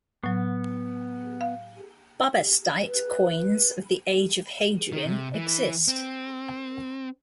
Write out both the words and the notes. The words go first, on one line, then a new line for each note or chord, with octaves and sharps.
Bubastite coins of the age of Hadrian exist.
A2 F#3 B3
F5
B4
D#3
C3
E3
C4